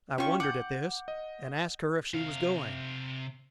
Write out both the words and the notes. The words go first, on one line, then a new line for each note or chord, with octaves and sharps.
I wondered at this, and asked her if she was going.
C#4 F4 G4 C#6
F#5 D6 G6
D#5
C3 F5